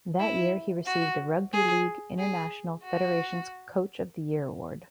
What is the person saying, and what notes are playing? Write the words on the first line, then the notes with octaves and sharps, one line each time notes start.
That year he received the Rugby League International Federation's coach of the year award.
E4
F#4
G#4
G#4
F#4